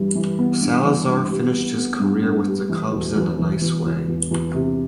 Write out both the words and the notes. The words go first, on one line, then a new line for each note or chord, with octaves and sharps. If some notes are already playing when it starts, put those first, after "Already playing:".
Salazar finished his career with the Cubs in a nice way.
Already playing: G2 E3 G3
E3
B3
G2
E3
G2
G3
B3
B3
G2
G2
G3
E3
E1
E2
E1
E2
E2
E2
E2
C3